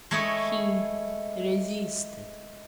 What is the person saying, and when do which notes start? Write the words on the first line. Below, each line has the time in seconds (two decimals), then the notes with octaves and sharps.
He resisted....
0.11 G#3 A3 E4 G#4 C#5 D#5